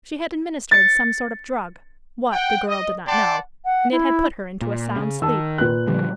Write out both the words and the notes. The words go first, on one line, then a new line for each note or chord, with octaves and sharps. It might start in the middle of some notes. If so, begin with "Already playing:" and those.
She had administered some sort of drug--what, the girl did not know--and it had put her into a sound sleep.
A6 C#7
F#5 G5
D#5
D5 F#5 G5 A5 C6 D6
F#5
E4
A#2
C#3
D#3 A5 E6
A#2 B4 F#6
D3 F3 G3